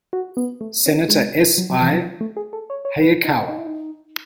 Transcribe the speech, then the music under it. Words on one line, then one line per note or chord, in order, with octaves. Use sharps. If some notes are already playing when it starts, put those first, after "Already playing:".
Senator S. I. Hayakawa.
F#4
B3
A3
C#4
G#3
F#3
F#3
E3
F#3
A3
G#4
A4
C#5
C#5
B4
D#4
D#4
E4
D#4